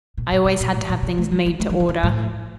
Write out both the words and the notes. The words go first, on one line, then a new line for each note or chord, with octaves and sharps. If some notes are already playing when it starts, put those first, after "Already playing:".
"I always had to have things made to order."
A#2
A#2
C3
A#2
A2
A#2
C3
A3
G3
F3
A3
F3
E3
D3
A2